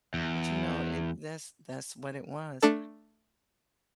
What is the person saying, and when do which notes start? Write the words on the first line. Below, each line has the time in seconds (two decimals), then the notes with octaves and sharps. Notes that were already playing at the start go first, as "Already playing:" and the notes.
But, you know, and that's that's what it was,
0.14 E2
2.62 A3 D4 A4